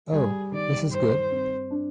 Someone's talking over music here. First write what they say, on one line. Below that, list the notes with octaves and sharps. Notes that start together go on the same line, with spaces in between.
Oh! This is good.
G3 G#4
D#3 D5
G2 C5
C4
D4